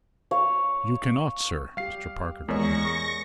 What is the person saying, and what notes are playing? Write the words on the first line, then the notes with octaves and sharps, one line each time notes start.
"You cannot, sir," Mr. Parker told me.
C#5 F5
G3 G4 F5 C7
E2 G#3 A#4 C#5 D#5 C#6 A#6